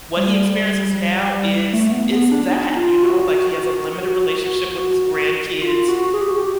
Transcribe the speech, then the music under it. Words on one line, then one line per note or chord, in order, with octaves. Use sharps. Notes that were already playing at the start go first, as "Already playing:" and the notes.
what he experiences now is is that, you know, like he has a limited relationship with his grandkids.
G3
A3
B3
B3
D4
D#4
F4
F#4
F#4
F4
F#4
G#4
G4
F#4
G4